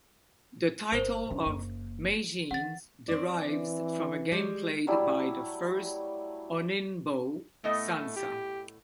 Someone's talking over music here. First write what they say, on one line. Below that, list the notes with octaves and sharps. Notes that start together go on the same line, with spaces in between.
The title of "Meijin" derives from a game played by the first Honinbo, Sansa.
G1 A#4 C5
G2 C#4
F#1 A#3
E3 F#5 A6
C4 D5
E3
G3 G#3
F#3 G3 A3 E4
A2 A3 B3 D#5
G4